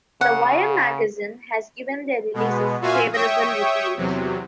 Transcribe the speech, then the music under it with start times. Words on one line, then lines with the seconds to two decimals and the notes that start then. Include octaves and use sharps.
"The Wire" magazine has given their releases favourable reviews.
0.21 C#3 F#5
2.34 B2 G#3 B3
2.81 A#2 F4 F#4 E5 F5 G#5
3.12 C#5 E5 G5 C#6 D#6
3.96 E2 C3 F#3